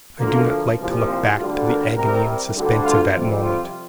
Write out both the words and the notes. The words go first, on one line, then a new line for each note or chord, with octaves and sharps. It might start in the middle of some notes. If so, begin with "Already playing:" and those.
I do not like to look back to the agony and suspense of that moment.
D2 D3 F3 A#3
C2 A#2 F3
C4
D2 D3 G3 F4
A#4
C2 C3 G3 A#4
D2 D3 G3
F4
F2 C3 G3
F4